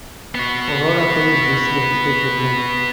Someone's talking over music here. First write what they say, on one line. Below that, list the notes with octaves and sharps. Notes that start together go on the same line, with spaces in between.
Aurora pays Lucia to take the blame.
B3 F#4